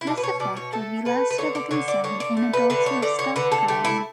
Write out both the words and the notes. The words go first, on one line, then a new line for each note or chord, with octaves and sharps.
This effect would be less of a concern in adults who have stopped growing.
E4
B2 D4
B4
C#5
B2 D5
C#5
A3 A4
A3 B4
B4
D3 C#5
D5
D3 C#5
D5
D3 C#5
D5
A3
B4
D3 B4
C#5
D3 D5
C#5
D3 B4
A4
A3 G4
E4